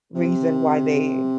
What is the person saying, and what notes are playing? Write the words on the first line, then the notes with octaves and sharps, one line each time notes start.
reason why they
C3